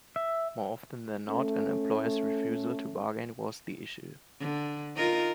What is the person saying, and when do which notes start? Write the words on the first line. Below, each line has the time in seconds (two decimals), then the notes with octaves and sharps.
More often than not, an employer's refusal to bargain was the issue.
0.16 E5
1.29 A3 C#4 A4
4.39 D3
4.96 D#4 F4 A#4